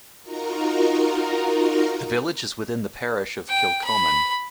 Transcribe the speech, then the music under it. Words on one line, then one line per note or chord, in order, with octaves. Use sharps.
The village is within the parish of Kilchoman.
D#4 F4 F#4 A#4 A#5
G5
B5